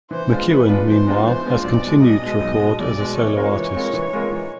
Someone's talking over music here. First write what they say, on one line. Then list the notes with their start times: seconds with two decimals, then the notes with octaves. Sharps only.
McEuen, meanwhile, has continued to record as a solo artist.
0.11 E3 C5
0.30 G#3 B3 D4 F4
0.49 E3 B4
0.69 G#3 B3 D4 F4
0.87 E3 C5
1.07 G#3 B3 D4 F4
1.25 E3 C5
1.46 G#3 B3 D4 F4
1.64 B1 D5
1.83 B2 G#3
2.02 B1 D#5
2.22 B2 G#3
2.41 B1
2.60 B2 G#3
2.79 B1 D5
2.99 B2 G#3
3.17 E3 C#5
3.36 G#3 C4 F4 A#4
3.55 E3
3.75 G#3 C4 F4 A#4
3.93 E3
4.13 G#3 C4 F4 A#4
4.32 E3